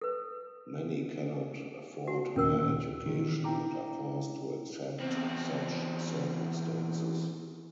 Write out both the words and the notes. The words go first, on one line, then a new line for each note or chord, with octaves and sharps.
Many cannot afford higher education and are forced to accept such circumstances.
A4 B4
F#4
D#2 A#2 C#4 A#4 E6
A#2 D#3 E3
D4 E4 G5 A#5 D6
E2 C4